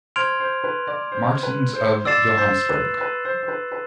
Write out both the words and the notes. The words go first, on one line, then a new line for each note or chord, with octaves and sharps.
Martins of Johannesburg.
C5 C6 F6 G#6 D7 F7
C5
B4
D5
C5
B4
C5
D5 E6 A6 C7 E7
C5
B4
B4
C5
C5
B4
B4